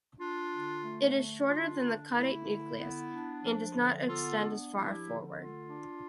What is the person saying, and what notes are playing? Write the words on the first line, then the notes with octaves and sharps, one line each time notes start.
It is shorter than the caudate nucleus and does not extend as far forward.
D4 F4
D3
A3
D3
D4 F4
D3
A3 E4
D3
B3
D4
F3
D3
B3 F4 A4
D4
F3 E4 G4
D3
A3 F4
D4